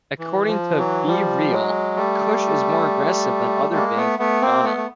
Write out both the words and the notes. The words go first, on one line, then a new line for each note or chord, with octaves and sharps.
According to B-Real, Kush is more aggressive than other bands in the genre.
E3
F3
E3 F#3
F3 G3
F#3 G#3
G3 A3
G#3 A#3
A3 B3
A3 B3
A#3 C4
A3 B3
A3